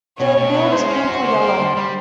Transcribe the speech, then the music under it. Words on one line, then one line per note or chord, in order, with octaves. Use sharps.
Their bill is pink or yellow.
B2 C#5
B2
B3
G#3 C5
C#4
F#4
D3 C5
A#3
D3
G3